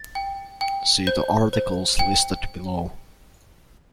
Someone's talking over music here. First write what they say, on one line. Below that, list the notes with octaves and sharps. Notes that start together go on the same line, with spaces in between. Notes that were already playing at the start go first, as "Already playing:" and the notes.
See the articles listed below.
Already playing: A6
G5
G5
C5 G6
C5
G5